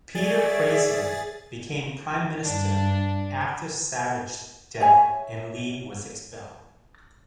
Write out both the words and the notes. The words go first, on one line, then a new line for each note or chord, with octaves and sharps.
Peter Fraser became Prime Minister after Savage's death and Lee was expelled.
G#4 C#5 D5 E5 A6
G2 D4
C#5 E5 G#5